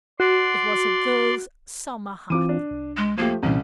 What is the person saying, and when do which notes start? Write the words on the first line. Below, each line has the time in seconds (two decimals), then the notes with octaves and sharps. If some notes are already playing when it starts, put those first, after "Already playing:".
It was a girl's summer hat.
0.20 F#4 D5 C6
2.30 E3 C4 F4 D6 D#7
2.49 D4
2.71 C2
2.97 G#3
3.17 F3 A3 A#3 G4
3.43 C2 A#2 E3 C4 C#4